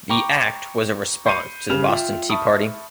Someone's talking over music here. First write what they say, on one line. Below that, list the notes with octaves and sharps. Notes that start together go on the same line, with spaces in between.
The Act was a response to the Boston Tea Party.
G5 A#5 B5 C#6 D6 F7
B5 G6 C7 C#7 D#7
C#3 G3 F6 E7 F7
F4 E5 G5
E5 A5 B5 C#6 D#6